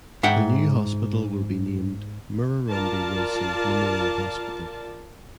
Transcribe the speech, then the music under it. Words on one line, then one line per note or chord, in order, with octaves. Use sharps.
The new hospital will be named Murrurundi Wilson Memorial Hospital.
G#2 E5 F#5 G5
F4 A#4 D5 A5